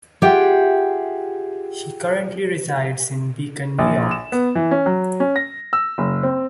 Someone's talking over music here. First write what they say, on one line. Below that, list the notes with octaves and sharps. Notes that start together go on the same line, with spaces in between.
He currently resides in Beacon, New York.
F4 G4 G#4 E5 F#5 G5
A#1
E7
B3
E3
C#4
F#3
C#4
A#6
E6
F#1
C4